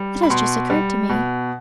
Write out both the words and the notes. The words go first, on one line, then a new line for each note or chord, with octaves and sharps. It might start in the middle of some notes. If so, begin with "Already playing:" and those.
It has just occurred to me!
Already playing: G3
B5
B2 C6
G3
B2